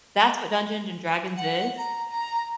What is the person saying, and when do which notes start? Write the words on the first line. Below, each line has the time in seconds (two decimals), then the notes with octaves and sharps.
That's what Dungeons& Dragons is?
1.37 F#5
1.76 A#5
2.10 A#5